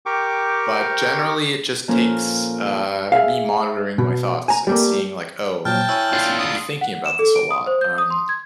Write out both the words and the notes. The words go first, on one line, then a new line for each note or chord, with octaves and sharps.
but, generally, it just takes, uh, me monitoring my thoughts and seeing like, "Oh, I seem to be thinking about this a lot, um"
G4 A#4 G5 C#6 D6
A#2 F3 A#3 C#4 A4
G#4 E5 F5
B2
G#5 A#5
G3 A3 A#3
A#2 F3 F#3 G5 A5 F6
E4 C#5 G#5 E6
D4 F4
D#6
F#5
E7
A4
D7
D#6
C5
G6
D#6
C6
G#6